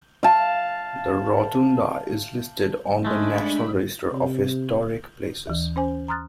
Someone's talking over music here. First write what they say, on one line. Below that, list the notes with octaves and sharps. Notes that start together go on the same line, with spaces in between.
The rotunda is listed on the National Register of Historic Places.
F5 A5
G#3 A3 D4 B5
C3
D#2 E3
C#4 C5 G#5
A#5 C6 D#6 F6 F#6 A6